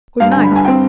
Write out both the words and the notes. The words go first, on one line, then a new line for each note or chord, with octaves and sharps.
Good night!
G2 F5
G#5
D3
B5
G2 G#5
C4 G5